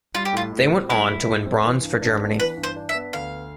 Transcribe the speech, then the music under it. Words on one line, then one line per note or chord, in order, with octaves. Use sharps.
They went on to win Bronze for Germany.
G3 F4
G4
A2 F4
A2
C4
G3 E4
A2
A2
C4
E3
G2
D4
B3
E3 B4
G2
C5
D4
E5
B3
D2 F5